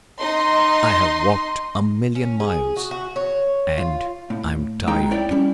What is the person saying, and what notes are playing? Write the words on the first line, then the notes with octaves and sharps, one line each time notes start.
I have walked a million miles, and I'm tired.
D#4 D#5 C6
C#4
G#4
F#4
F#4
C#5
F4
A2
G#3 D#4 G5 A#5
E4 C#5 D5 G5
G3 C#4